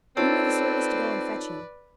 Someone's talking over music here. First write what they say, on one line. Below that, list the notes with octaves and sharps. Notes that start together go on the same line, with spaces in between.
"Do me the service to go and fetch him."
C4 D#4 F4 A4 B4 C#5 D5